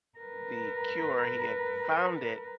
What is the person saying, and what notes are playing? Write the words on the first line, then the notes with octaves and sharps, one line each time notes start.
the cure he had found it,
A#4 B4